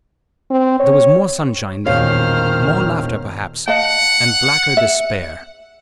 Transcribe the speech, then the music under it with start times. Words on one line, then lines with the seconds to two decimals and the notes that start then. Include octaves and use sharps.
There was more sunshine then, more laughter perhaps, and blacker despair.
0.50 C4
0.80 C#5
1.86 E1 A#2 D#3 C#4 C5 F5 F6
3.68 D#5 F5 F#5 A5
4.77 E5